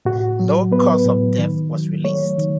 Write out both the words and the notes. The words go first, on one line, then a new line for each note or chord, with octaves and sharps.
No cause of death was released.
A2 F#4
F#3
B3 B4
A2
D#3
F#3
A3 C#5
D#3